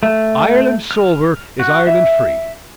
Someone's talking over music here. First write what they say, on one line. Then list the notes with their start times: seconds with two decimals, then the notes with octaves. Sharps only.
Ireland sober is Ireland free.
0.03 A3
0.91 F6
1.60 F#4
1.87 E5